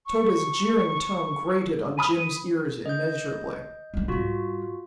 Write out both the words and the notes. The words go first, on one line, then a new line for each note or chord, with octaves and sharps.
Tode's jeering tone grated on Jim's ears immeasurably.
C#6
G#5 B5 D#6 D#7
D#5 G6
G3 C4
G#2 G3 F4 F#4